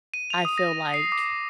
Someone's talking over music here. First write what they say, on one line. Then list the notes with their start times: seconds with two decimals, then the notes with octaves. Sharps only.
I feel like
0.14 D#7
0.30 F7
0.45 D#6
0.58 A#6
0.94 C7
1.12 D6